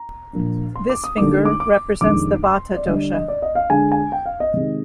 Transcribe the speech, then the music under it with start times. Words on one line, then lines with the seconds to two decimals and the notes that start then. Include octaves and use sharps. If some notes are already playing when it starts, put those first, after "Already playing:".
This finger represents the Vata dosha.
Already playing: A#5
0.33 A#2 F3 A#3 D4
0.76 C6
0.89 D6
1.04 D#6
1.17 D3 G3 A#3 D#4 D6
1.45 D6
1.60 D6
2.01 F2 C3 D#3 G#3 D4 D6
2.44 C6
2.77 D5
2.86 D3 G3 D4 D#5
3.00 D5
3.14 D#5
3.28 D5
3.42 D#5
3.55 F5
3.70 D3 G#3 D4 G#5
3.92 G#5
4.12 G5
4.26 F5
4.40 D#5
4.54 C3 D#3 G#3